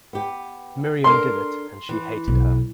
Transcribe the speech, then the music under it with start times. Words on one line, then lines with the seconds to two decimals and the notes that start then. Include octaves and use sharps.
Miriam did it, and she hated her.
0.13 B3 G4
1.04 D4 A4 A#4 C6
1.89 E3
2.28 B1